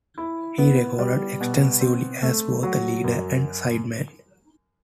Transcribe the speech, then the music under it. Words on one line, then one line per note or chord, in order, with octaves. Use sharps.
He recorded extensively as both a leader and sideman.
E4
B3
G3
B2
C4
A3
F#3
F#2